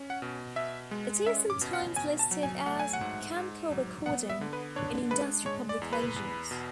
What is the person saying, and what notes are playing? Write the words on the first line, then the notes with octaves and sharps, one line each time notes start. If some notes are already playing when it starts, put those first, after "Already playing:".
It is sometimes listed as "Camcor Recording" in industry publications.
Already playing: C#4
F#5
B2
B2 E5
G#3
C#4 E5
D6
B2
F#5
B2 G#5
A5
F#3
G#5
A3 F#5
G#5
F#5
G#2
G#2
F#3
B3 F#5
E5
D3
B4
D4 C#5
G#3 B4
G#3 C#5
D5
E2
B4
E2
B2